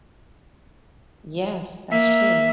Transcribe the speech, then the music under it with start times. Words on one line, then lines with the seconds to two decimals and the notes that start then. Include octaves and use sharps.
Yes, that's true.
1.91 A#3 E5